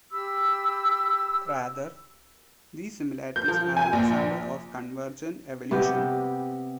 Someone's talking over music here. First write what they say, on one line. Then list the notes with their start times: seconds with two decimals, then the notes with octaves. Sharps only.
Rather, these similarities are an example of convergent evolution.
0.12 G4 B5 E6
3.36 G6
3.48 F3
3.77 G#5
3.93 A#1
5.71 C3 B3 G4